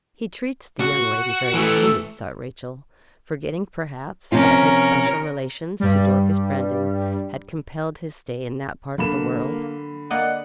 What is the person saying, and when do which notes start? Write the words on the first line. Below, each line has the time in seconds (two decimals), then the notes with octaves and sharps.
'He treats the young lady very coolly,' thought Rachel, forgetting, perhaps, that his special relations to Dorcas Brandon had compelled his stay in that part of the world.
0.80 F#4
1.54 E3 A3
4.32 C3 F3 C#4 F4 A#4
5.80 G2 G3
8.98 D3 F#3 A#3 B5 E7
10.11 A#3 D5 D#5 F#5